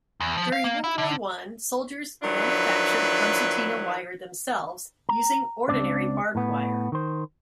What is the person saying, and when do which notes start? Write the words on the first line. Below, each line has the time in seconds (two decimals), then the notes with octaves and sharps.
During World War One soldiers manufactured concertina wire themselves, using ordinary barbed wire.
0.20 E2
0.37 F3
0.52 F5
0.64 A#3
0.84 E4
0.98 D3
2.23 D#3 F3 F#3 D4 E4 B4
5.09 A#5
5.69 C#2 F#2 C4 D4 D5
6.35 A2 B3
6.92 D#3 C5